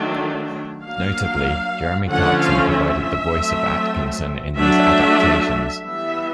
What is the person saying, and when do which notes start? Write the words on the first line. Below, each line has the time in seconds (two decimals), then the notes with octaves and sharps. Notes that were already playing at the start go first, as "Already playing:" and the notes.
Notably, Jeremy Clarkson provided the voice of Atkinson in these adaptations.
Already playing: D#3 F#3 A3 D4
0.85 F#3 A#3 D4 F5
2.09 D3 F3 A3 C#4 F#5
2.40 F5
2.71 E5
3.33 F#3 A3 C4
4.57 F#3 A3 D4 E5
5.82 E3 G3 B3 E5